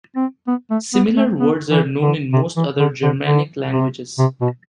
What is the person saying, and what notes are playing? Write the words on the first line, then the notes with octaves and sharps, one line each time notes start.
Similar words are known in most other Germanic languages.
C4
B3
A3
B3
A3
B3
E3
D3
C3
E3
D3
D3
D3
C3
C3
B2